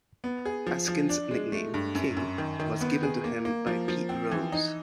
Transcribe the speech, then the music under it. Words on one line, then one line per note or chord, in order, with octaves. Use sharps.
Eskin's nickname, "King", was given to him by Pete Rose.
B3
G#4
F3
F3
D4
G#3
A3
G2
F#2
F#2
D#3
D#3
B3
G#4
A#3
A#3
F3
F3
C4
E3
D#4